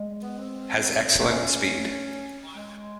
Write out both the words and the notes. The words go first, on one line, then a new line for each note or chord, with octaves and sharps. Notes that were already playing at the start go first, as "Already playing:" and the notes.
Has excellent speed.
Already playing: G#3
B3
C4
A3 C#4
G#3